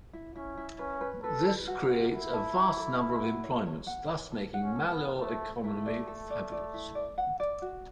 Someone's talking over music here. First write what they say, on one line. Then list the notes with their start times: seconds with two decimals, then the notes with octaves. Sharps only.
This creates a vast number of employments, thus making Malur economy fabulous.
0.13 E4
0.36 C#4 E4
0.57 E4
0.79 C#4 B4
1.01 B4
1.23 A4 B4
1.46 B4
1.68 F#4
1.90 F#4
2.11 E4 A4
2.34 A5
2.55 A5
2.77 A4
3.00 A4
3.22 F#4
3.44 C#5
3.66 C#5
3.87 F#5
4.09 C#5
4.32 A4
4.54 F#5
4.61 C#4
4.76 A4
4.90 B3
4.97 A4
5.19 A3 A5
5.42 A4
5.64 A3 E4
5.86 D5
6.08 A4
6.30 D5
6.52 D5
6.74 E4
6.95 D5
7.18 F#5
7.40 D5
7.62 F#4